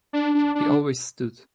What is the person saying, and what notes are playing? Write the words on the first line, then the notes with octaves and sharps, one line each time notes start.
He always stood.
D4
D4
D4